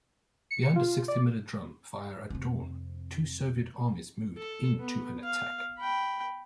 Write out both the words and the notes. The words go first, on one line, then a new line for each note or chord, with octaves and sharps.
Behind a sixty-minute drum fire at dawn, two Soviet armies moved into an attack.
C#7
F4
D5
F2 C3
A4
B3
F5
G5 B5